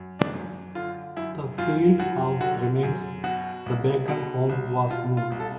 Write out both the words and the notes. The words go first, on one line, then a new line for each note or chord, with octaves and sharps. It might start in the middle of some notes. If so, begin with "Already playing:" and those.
The Fields house remains; the Bacon home was moved.
Already playing: F#2
D4
F#2
D3 F4
F#2 E4
F#2 F4
F#2 F#4
D3 F#4
F#2
B2 F#4
C2
B2
C2
B2 F4
F4
C2
A4